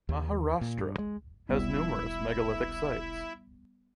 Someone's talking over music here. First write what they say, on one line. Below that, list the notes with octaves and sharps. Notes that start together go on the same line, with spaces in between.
Maharashtra has numerous megalithic sites.
D#2
A#2
G2
G#3
E1 B1 G3 B3 E4 E5